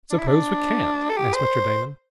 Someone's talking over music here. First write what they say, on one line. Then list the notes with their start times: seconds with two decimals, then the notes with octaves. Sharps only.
"Suppose we can't?" asked Mr. Damon.
0.11 D4
0.18 E4
0.27 D4
1.10 A4
1.17 G4
1.34 C5